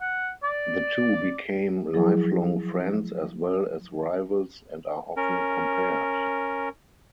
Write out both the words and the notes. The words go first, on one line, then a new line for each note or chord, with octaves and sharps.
The two became lifelong friends as well as rivals and are often compared.
F#5
D5
F3 F#3 E4 G#4
C#4 A#4